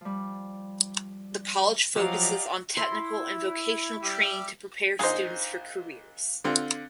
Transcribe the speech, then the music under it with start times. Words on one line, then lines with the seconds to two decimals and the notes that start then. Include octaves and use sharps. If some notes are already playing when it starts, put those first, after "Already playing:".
The college focuses on technical and vocational training to prepare students for careers.
0.01 F3 G3
1.96 F3 F#3 G4 D5 D#5 F5 F#5 A#5
2.77 E4 C6
4.03 G3 G4 E5
4.99 A#1 D#4 G#4 C5
6.44 D3 C4 F4